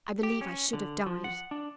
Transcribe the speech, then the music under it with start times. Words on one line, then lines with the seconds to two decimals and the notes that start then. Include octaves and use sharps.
I believe I should have died.
0.23 G4
0.41 C#4
0.73 D3
1.06 F3
1.24 F#5
1.51 D4